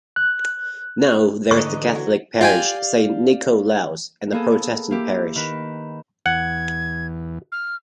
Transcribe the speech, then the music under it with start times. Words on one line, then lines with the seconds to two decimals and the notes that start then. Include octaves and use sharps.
Now there is the Catholic parish "Saint Nikolaus" and a Protestant parish.
0.16 F#6
1.51 G#2 D3 E3 A3 D#4 C#6
1.95 F#3
2.41 F4 G4 D5 F5 G5 G#5
4.32 A#3 B3 G#4 A4
4.91 A#3 E4 G4
5.36 D#3 B4
6.26 E2 E3 F#5 G#6
7.52 F6